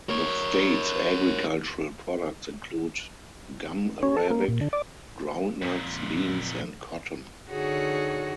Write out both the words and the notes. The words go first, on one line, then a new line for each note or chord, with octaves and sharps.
The state's agricultural products include gum arabic, groundnuts, beans, and cotton.
A#4 C#5
C#4
A4
A#3
A#2
D3
D5
F2 A#2
D3 D#4 F#4 G#4 C#5